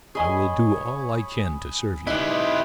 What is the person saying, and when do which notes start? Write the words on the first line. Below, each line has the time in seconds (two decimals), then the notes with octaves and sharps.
I will do all I can to serve you.
0.15 G#4 C#5 D#5 G#5 B5 D#6
2.07 G#3 D#4 E4 G4 B4 D#5